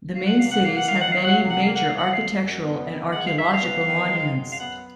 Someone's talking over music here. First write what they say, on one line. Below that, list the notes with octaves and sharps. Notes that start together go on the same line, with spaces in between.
The main cities have many major architectural and archeological monuments.
F#3 F5
F#5
C3 F5
F#5
A#3 F5
F#5
D#3 F5
F#5
F#3 F5
F#5
C3 F5
F#5
A#3 F5
F#5
D#3 F5
F#5
F#3 F5
F#2
B3
D#3
G#3 F#5
F5
F#2 E5
F5
B3
D#3
G#3
F#2
F5
B3 F#5